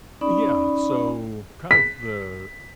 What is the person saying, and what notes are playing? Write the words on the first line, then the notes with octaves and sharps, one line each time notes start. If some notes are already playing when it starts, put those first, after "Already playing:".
Yeah, so, kind of the
C#4 D#4 D5 B5
B6